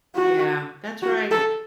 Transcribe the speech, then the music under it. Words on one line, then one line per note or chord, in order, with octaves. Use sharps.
Yeah, that's right.
F#4
F#4
A4